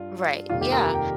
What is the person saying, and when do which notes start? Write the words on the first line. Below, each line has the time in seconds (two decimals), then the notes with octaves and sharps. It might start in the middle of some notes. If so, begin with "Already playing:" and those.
Right. Yeah.
Already playing: G2 F4
0.49 F1 D#2 D#3 G3 F4
0.61 G4
0.72 A#4
0.95 G5